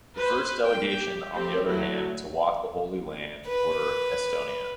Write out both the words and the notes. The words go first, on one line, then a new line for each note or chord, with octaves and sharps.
The first delegation on the other hand to walk the Holy Land were Estonia.
B4 C5
A#3 G5
G4
A3 C4 G4
F#3 A3 E4
B4